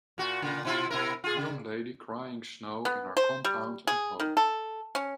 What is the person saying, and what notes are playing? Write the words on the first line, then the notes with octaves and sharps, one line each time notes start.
A young lady crying snow in her compound at home.
A#2 F#4
A#2 C#3
B2 E4 F4
B2 E4 A#4
F4 G#4
C#3
B3
C5
G3
G#4
D#3
A4
C#4